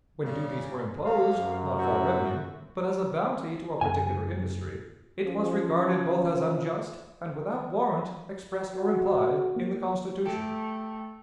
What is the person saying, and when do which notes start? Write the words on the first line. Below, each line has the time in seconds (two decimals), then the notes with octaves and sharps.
When duties were imposed, not for revenue, but as a bounty to a particular industry, it was regarded both as unjust and without warrant, expressed or implied, in the Constitution.
0.23 C#3 G3
1.05 D2 C3 F5
1.37 F#2
1.77 G3 E4 F#4
3.81 F#2 C#3 A#3 G#5
5.25 F3 C#4
8.75 F#4
9.56 A#3
10.25 A3 G4 A4 D6